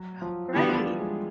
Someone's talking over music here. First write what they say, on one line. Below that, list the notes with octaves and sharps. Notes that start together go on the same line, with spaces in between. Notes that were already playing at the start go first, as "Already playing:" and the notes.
Oh, great.
Already playing: F#3
F3 F4
D3 E3 G3 B3 E4
F3 F4
G3 G4
G#3 G#4